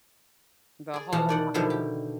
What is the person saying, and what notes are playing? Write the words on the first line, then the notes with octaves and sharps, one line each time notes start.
The whole
G#4 D5
E2 B2 F3 F#4 F5 A5
D#3 D5 F#5
B2 D3 D#3 F3 F#3 E4
G4